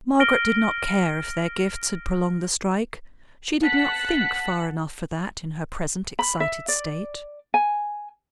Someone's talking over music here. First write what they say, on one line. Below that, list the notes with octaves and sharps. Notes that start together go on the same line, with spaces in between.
Margaret did not care if their gifts had prolonged the strike; she did not think far enough for that, in her present excited state.
F6 A#6 D7 G7
F#5 A5 F#6 B6
B5
E5
D5
G#5